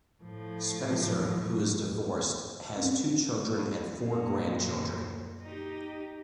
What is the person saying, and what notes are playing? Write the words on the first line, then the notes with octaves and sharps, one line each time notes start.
Spencer, who is divorced, has two children and four grandchildren.
A2 F3
C4 C#4
A#3
F#2 A#2
D#4 G4